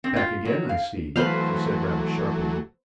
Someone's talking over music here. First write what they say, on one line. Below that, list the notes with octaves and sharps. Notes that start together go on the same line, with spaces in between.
"Back again, I see," she said rather sharply.
C4
F4
F#3
F5
E3 F#3 A3 B4 C5 F5